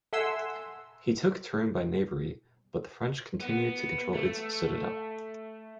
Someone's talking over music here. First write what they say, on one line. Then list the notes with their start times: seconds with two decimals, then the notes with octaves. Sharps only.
He took Turin by knavery, but the French continued to control its citadel.
0.13 A4 E5 F#5 G#5 C6 E6
3.41 B3
4.15 A3